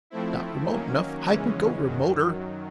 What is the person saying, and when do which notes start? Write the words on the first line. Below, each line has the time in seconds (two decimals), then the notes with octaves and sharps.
If not remote enough, I can go remoter.
0.10 F3 A3 C4 E4
0.68 D#3 F#3 A#3 C#4
1.26 E2 C#3 E3 G#3 C#4
1.83 F#2 D#3 F#3